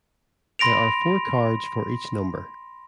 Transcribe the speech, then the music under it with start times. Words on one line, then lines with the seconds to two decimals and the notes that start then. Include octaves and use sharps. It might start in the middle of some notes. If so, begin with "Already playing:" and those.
There are four cards for each number.
0.59 B5 C6 A#6 D7 F7